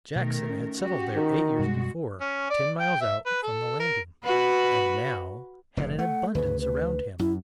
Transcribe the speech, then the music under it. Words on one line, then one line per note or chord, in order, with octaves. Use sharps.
Jackson had settled there eight years before, ten miles out from the landing, and now had an abundance around him.
B2 D#3 A3 A#4
C#4
F#4 G4
D#3
F#2 B2 G3 G#3 F#4
C#4
D5
G5
E5
B4
A4
A#4
F#4 B4
F1 A2
A3 F#5
D2 C#3 B4
B4
F#2 E4